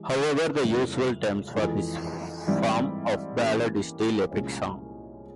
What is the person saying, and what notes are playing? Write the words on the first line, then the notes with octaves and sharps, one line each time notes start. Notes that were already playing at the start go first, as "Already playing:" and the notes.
However, the usual term for this form of ballad is still epic song.
Already playing: E3 G#3 G4
F2 C#3 G3 A#3 E4
F2 E3 G#3
G#2 E3 G3 C4 E4
E3 A#3 C#4 G4
C2 A#2 F3 G#3 C#4